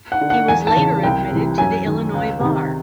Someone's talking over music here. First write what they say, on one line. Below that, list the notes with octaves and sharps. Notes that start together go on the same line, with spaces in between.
He was later admitted to the Illinois bar.
F#5
D3
F#5
E2 G#5
A5
C#3 E3
C2 G5
C3 E3
F#2 G#5
D#3
C#2
C3 D#3